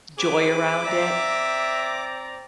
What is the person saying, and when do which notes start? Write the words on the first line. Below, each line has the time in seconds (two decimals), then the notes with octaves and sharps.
joy around it
0.18 C4 G#4 B4 D6
0.85 C4 D5 E5 A#5